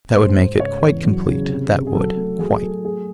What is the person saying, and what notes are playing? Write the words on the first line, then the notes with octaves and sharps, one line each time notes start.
That would make it quite complete, that would: quite.'
G#2 C5
G#2
C#3 C#5
E2
F#3
C#3
C3
C3
G#4
F#3 A4
A3
F#3 G#4
G#4
F#3 A4
A3 G#4